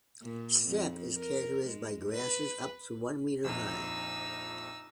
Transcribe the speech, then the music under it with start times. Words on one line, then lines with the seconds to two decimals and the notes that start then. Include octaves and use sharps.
Steppe is characterized by grasses up to one meter high.
0.22 A#2
0.64 F2
1.16 A#4
1.67 G#3
2.11 B4
3.45 A#1 F2 D#4 E6